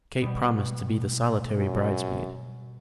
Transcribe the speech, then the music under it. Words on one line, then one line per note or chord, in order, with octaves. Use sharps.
Kate promised to be the solitary bridesmaid.
B2 G3
F#2